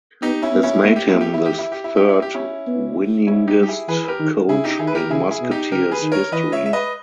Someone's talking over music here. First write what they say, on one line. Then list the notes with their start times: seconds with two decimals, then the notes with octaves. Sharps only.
This made him the third winningest coach in Musketeers’ history.
0.22 B3 D#4 G4
0.42 C#4 E4
0.53 B3
0.63 C#4 E4
0.83 A#3 E4
0.96 G4
1.08 E4
1.13 A#3
1.21 G4
1.34 E4
1.46 G4
1.58 E4
1.72 G4
1.84 E4
1.96 G4
2.09 E4
2.22 G4
2.34 C#4 E4
2.66 B3
3.27 G#3 C#4 E4
3.48 D#4 G4
3.57 G3
3.63 G4
3.68 E4 G#4
3.88 E3 G#4 B4
4.04 B4
4.08 G4 A#4
4.19 D#3
4.49 C#3 E4 G#4
4.64 D#4 G4
4.79 D#3 E4 G#4
4.87 B4
4.95 G4 A#4
5.10 C#3 E4 G#4
5.30 E4 G#4
5.41 B2
5.51 D#4 G4
5.71 C#3 G4 A#4
5.91 G#4 B4
6.02 D#3
6.12 A#4 C#5
6.32 E3 B4 D#5
6.52 C#5 E5
6.63 G#3 E5
6.73 B4 D#5